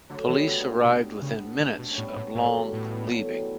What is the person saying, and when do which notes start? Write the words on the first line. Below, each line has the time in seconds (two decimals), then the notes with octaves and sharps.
Police arrived within minutes of Long leaving.
0.09 D3 F#3 A3
0.28 E3
0.34 G3 B3
0.47 D3
0.60 B3 D4
0.85 B2
1.22 C#3
1.60 D3
1.79 B2
1.91 C#4
1.98 A2 G3 B3
2.16 A2
2.35 A2 F#3 A3
2.54 E3 G3
2.73 A2 G3 B3
2.92 G3 B3
3.10 F#3 A3
3.30 E3 G3